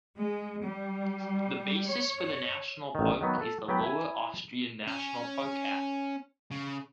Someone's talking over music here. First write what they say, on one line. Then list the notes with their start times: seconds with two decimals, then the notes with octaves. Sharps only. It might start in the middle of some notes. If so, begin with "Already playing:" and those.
The basis for the national park is the Lower Austrian National Park Act.
0.17 G#3
0.64 G3
1.88 C#5
2.95 A1 D#3
3.21 D#3 F#3 B3
3.41 A4
3.68 F#3 B3 G4 B4 G5
3.83 E4 G#5
4.87 C#4
6.52 C#3